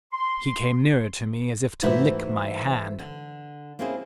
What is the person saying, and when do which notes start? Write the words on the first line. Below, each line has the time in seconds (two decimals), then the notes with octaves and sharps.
He came nearer to me as if to lick my hand.
0.13 C6
1.82 G#2 E3 A3 E4 F#4 C5
2.99 D3
3.79 A#3 C4 C#4 E4 G#4 C5